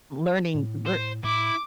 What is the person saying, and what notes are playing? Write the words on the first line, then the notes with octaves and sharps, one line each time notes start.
learning lear
A2
C5
A2 E4 D6